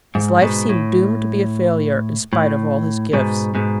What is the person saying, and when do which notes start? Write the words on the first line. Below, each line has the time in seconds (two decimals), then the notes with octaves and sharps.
His life seemed doomed to be a failure, in spite of all his gifts.
0.15 G#2
0.42 G#2 B2
0.69 A2
2.33 A2
3.13 G#2 B2
3.55 G#2 B2